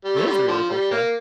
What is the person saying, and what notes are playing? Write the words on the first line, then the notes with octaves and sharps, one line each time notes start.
This is really cool stuff.
G3
A3
D3 G3
D3 F3
G3
A#3